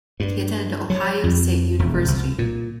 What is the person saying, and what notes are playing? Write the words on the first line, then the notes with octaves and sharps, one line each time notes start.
He attended Ohio State University.
G2
F#3
F2
E1
C2
A#2